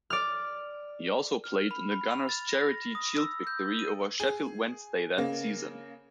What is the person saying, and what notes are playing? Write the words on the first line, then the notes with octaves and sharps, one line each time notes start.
He also played in the Gunners' Charity Shield victory over Sheffield Wednesday that season.
D5 F6
F6
B5
B5
F7
A6
A#6
D#6
E6
G6
D#7
G#4
C#3 A#3